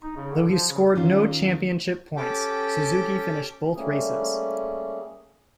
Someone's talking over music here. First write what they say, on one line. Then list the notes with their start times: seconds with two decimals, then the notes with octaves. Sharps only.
Though he scored no championship points, Suzuki finished both races.
0.03 D#4
0.16 C#3
0.31 D3
0.52 F3
0.69 C#3
0.95 D#3 C#4 F4
2.17 C#4 G4 A4 G5 D6
3.75 G3 A3 A#3 C#4 G#4